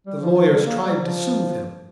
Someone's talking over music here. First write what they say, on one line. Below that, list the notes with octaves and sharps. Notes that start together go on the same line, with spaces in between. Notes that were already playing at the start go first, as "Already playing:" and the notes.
The lawyers tried to soothe him.
G3
F3
F3
G3
A#3
G3
F3